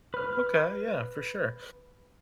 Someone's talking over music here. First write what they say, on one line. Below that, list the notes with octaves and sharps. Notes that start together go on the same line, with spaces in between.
Okay, yeah, for sure.
B4 F6